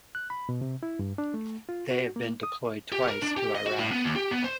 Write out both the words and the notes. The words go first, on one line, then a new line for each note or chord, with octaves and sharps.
They have been deployed twice to Iraq.
F#6
B5
B2
C3
E4
G2
D4
A3
F4
F#4
A#3
D#6
G4
A#4
D4
G4
D#5
F#4
A2
B3
D#2
G4
B3
C5